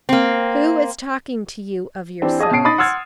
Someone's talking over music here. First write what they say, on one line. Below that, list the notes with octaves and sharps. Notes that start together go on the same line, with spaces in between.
Who is talking to you of yourselves?
A#3 C4
E3 C4 D4 G4
G#4 D#5 A5 D#6
B2 C#4 A5 C7 D7
D#4 B5 D#6 A6
F#5 C6 E6 F6 G#6 A6